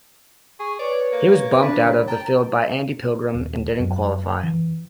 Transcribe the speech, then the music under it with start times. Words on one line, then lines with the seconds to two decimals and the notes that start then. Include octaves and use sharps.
He was bumped out of the field by Andy Pilgrim and didn't qualify.
0.59 G#4 C#6
0.79 B4 C#5 D5
1.12 A#3
1.62 D4 B4
1.86 C3 C#5
2.08 G5 A5 A#5
3.35 D#1
3.80 F#2
4.43 E3